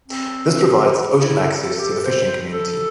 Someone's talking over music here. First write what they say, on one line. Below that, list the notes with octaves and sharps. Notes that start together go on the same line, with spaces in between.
This provides ocean access to the fishing community.
C4
E4
A4
A4
G4
A4
C5
A4